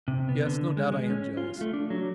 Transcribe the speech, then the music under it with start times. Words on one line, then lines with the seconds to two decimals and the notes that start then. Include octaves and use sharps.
Yes, no doubt I am jealous.
0.08 C3
0.29 B3
0.47 D3
0.77 G#3
0.92 G#3
1.10 C#4
1.37 F4
1.61 A3
1.73 D4
1.90 F#3